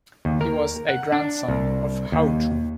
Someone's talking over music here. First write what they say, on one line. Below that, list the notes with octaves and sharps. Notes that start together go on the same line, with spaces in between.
He was a grandson of Houtu.
D#2
A#4
F#5
D4
C2
D#2